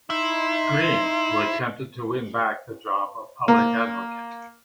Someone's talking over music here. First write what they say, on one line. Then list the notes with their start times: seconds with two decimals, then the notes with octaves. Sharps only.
Green, who attempted to win back the job of Public Advocate.
0.10 D#4 E4 C6
3.48 A#3